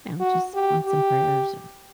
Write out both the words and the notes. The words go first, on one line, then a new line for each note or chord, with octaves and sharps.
you know, just want some prayers or
F#4
G4
G4